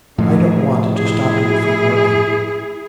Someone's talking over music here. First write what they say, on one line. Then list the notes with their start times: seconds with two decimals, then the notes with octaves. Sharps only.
I don't want to stop you from working.
0.18 A2 D3 F3 G#3 G#4
0.93 E4 G#4